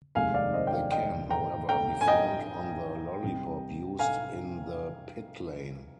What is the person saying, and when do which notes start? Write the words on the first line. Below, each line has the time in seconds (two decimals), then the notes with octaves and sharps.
They can, however, be found on the lollipop used in the pitlane.
0.15 F1 D#2 D#3 G#3 F5 G#5
0.34 D5 F5
0.53 C5 D#5
0.67 G5
0.73 D5 F5
0.92 D#5 G5
1.30 G5 A#5
1.69 G5 A#5
2.01 G#5
2.08 D#5 G5
3.22 C2 C3 G3
3.99 F5 G#5